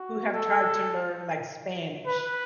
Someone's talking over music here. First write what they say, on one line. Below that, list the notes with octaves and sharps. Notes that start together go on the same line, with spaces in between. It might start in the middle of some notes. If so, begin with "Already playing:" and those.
who have tried to learn, like, Spanish.
Already playing: F#4
A4
B4